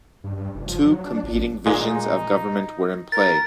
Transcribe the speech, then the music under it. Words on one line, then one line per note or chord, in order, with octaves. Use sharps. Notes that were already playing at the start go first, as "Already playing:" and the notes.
Two competing visions of government were in play.
G2
G2
F1
F3
F#3
D4
A1
A#2 G#3 D#4
A#4 A6